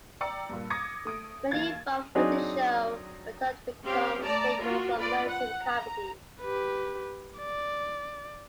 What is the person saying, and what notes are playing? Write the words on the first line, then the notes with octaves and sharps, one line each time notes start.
Many involved with the show went on to become staples of American comedy.
D5 G5 A#5 D6 E6 C#7
G2 A#2
D6 D#6 G#6 A#6 C#7
A3 D#6 D7
D#2 E3 F5 G#6 A6
F#3 C4 D4 D#4 G#4
C4 C#4 G4 F5
A3 D5 A5 A#5
A#3 F4 F#4
F4 B4 D5
F#5
A#5
G4 B4
D5